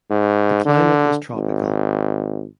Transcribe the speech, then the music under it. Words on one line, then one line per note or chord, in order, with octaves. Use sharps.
The climate is tropical.
G#2
D3
G#1